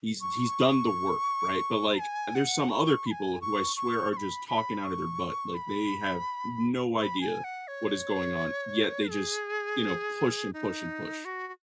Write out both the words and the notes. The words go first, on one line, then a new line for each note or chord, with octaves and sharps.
he's he's done the work, right? But, like, eh, there's some other people who I swear are just talking out of their butt, like, they have no idea what is going on, yet they just, you know, push and push and push.
C#6
G#5
F#5
C#6
B5
G#5
C#6
C#6
C#6
B5
B5
C#6
B5
C#6
B5
G#5
F#5
C#5
G#4
D#4
F#4
F#4